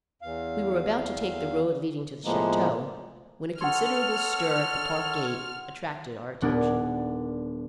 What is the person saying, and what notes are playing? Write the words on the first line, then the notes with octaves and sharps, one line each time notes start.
We were about to take the road leading to the chateau, when a considerable stir at the park gate attracted our attention.
E2 F5
A2 F3 G#3 A#3 B3
A4 C#5 F#5 C6 F6
D#1 B3 D4 A#4 G#5 G#6